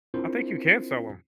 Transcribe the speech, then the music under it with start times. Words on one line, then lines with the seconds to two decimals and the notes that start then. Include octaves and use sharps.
I think you can sell 'em.
0.14 C4 D4 E4 F4 A#4 C5